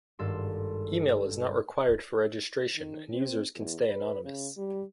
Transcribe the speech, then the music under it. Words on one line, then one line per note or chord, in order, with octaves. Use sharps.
Email is not required for registration and users can stay anonymous.
G#1 G2 A4 C6
D#3
C4
E2
B4
C#3
G3